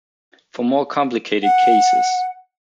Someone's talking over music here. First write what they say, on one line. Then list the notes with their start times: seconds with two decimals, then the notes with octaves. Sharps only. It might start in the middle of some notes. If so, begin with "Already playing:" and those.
For more complicated cases.
1.43 F#5